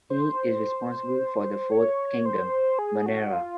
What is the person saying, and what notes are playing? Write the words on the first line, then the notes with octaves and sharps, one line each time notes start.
He is responsible for the fourth kingdom, Monera.
C5
C#5
C5
G#4
F#4
F4